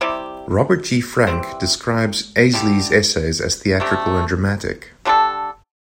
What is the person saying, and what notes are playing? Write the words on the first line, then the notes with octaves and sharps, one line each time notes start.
Robert G. Franke describes Eiseley's essays as theatrical and dramatic.
C3 G3 E4 G4
E3 G3 C4
D3 G3 E4 G4
C3 A3 D4 G4
D3 G3 D4 A4